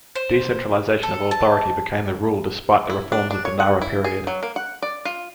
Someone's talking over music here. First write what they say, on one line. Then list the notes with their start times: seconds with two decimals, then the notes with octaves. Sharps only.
Decentralization of authority became the rule despite the reforms of the Nara period.
0.15 C5
1.03 A4
1.31 A5
2.90 E4
3.12 D4
3.31 D4
3.45 C#5
3.60 F#5
3.81 E4
4.04 G#4
4.27 F#3
4.43 A#3
4.56 F#5
4.82 D5
5.05 F4